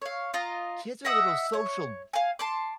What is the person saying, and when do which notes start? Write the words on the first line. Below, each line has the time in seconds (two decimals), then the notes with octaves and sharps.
kids are little social
0.02 C#5 F5
0.34 F4 D#5 A#5
1.05 D#5 E5 F#5 D#6
1.53 C#5
2.13 F5 G#5
2.39 A5 C6 D6